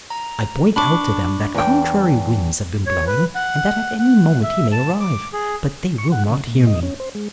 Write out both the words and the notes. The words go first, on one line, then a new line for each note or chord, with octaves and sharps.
I point out to them that contrary winds have been blowing, and that at any moment he may arrive; but they will not hear me.
A#5
D4 B5 C#6 D6
E2 G5
C#5
B4
F#5
F#5
E5
A5
D6
G#4
C#6
F#5
C#3
A#2
D#5
C#4
C5
G#3